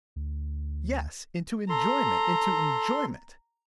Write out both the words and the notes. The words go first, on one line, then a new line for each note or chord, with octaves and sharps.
Yes, into enjoyment, into enjoyment!
D2
A4 A#5 C6